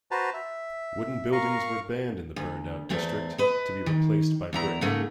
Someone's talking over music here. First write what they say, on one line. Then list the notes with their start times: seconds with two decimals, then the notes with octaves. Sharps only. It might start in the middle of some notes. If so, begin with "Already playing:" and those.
Wooden buildings were banned in the burned out district, to be replaced by brick.
0.11 F#4 B4 C5 A5 A#5
0.34 E5
1.32 A#4 F5 A#5 C#6
2.36 D2
2.90 E2 A3 C4
3.38 B4 D#5
3.86 D#3
4.53 E2 E4 A#5
4.81 G#2 C#3 A3 A#3